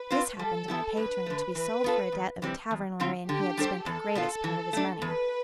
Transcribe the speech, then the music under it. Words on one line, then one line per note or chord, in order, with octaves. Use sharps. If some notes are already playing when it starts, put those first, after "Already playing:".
This happened to my patron, to be sold for a debt of a tavern wherein he had spent the greatest part of his money.
Already playing: B4
C4 F4 C5
G3 A4
B3 E4 G4
G2 B4
D3 A3
E3 B4
B3 F4 A4
E2
C3 E3 G3 C4
E2
D3 G3 C4 F4
D3 G4
G3 D4 A4 C5
E2 A4
B2 B3 F4
E3
A3 D4
E2 B4